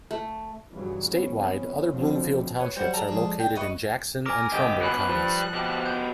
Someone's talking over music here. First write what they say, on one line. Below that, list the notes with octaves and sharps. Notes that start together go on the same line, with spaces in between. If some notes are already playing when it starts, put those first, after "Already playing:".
Statewide, other Bloomfield Townships are located in Jackson and Trumbull counties.
A3
G2 A#2 C#3 E3 F#3
F2 B3 C#4
B2 D3 F3 F#3 C4
B4 C#5
F#3 G3 C5 D5 F#5
A4 D5 A5 A#5
F3 G#3
D3 G5
B4 D#5 C#6
A#4 G#5 D6
G1 G4 D#5 G6
B2 E3 F#6
F3 G3 B4
B2 G4
G6